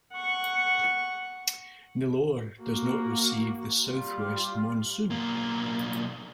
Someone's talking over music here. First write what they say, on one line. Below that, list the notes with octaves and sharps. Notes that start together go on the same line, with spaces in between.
Nellore does not receive the south-west monsoon.
F#5 C#6
A#3 F#4
G3 F4
B1 A#3